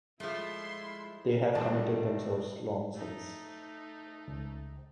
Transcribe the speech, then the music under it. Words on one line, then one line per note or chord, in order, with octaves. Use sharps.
They have committed themselves long since.
F3 G#3 A3 E4 F4 E5 C6
A#1 G2 D#3 E3 G3 A3 F4 A5
A3 D#4
C#2